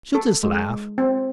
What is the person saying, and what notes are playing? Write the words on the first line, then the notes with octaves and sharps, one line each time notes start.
She'll just laugh.
A4
G#3
C4